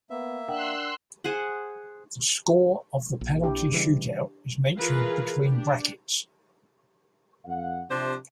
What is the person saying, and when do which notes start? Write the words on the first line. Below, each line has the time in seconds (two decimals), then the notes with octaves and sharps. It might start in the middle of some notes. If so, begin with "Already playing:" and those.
The score of the penalty shootout is mentioned between brackets.
0.10 A#3 B3 E5
0.48 D4 A#4 F#5 G5 C6 E6 F#6
1.24 G#4 C5 F#5
3.21 A#1
3.43 D4 E4 G4
3.72 C#3 E3 G3
4.78 E3 F4 G#4 A#4 B4 F5
5.45 D4 G4
7.46 F2 F5 F#5
7.90 C3 F3 D4 C5